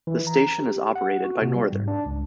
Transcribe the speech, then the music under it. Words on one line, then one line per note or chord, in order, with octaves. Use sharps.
The station is operated by Northern.
E3
A#5
G4
F#5
F#4
C3
G3
G#2
D4
C#2